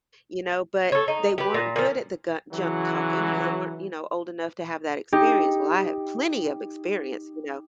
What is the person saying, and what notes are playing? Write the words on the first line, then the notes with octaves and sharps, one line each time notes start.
you know? But, they weren't good at the ga junk-talking, because they weren't, you know, old enough to have that experience- well, I have plenty of experience, you know?
A4 C#5
D#4
G4 B4
A#2
A#2 F3
C#3 E3 F#3 F#4
D#4 G4